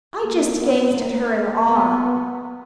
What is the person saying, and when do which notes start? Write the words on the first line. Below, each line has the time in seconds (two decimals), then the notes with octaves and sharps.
I just gazed at her in awe.
0.22 A#3
0.58 B3
0.94 A#3
1.66 B3